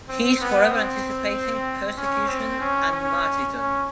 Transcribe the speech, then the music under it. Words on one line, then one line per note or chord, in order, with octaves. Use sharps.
He is forever anticipating persecution and martyrdom.
C4
B3
C4
C#4
C4
C#4
C#4
C#4